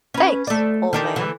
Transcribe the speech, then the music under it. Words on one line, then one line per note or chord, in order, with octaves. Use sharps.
Thanks, old man.
C#4 B4
A3 D5
D#3 D4 G4
D3 E3